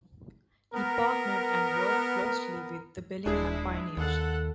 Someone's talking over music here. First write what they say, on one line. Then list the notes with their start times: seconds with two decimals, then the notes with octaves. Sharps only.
He partnered and worked closely with the Bellingham pioneers.
0.74 B3 A#4
3.26 D#1 G#3 D4 E4 G#4
3.97 D#2 A4 F#5